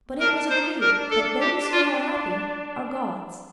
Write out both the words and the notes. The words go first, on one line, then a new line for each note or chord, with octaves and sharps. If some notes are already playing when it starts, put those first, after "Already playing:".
But it was agreed that those who are happy are gods.
D4 A#4
D#4 C5
D4 A#4
A4
G4
F4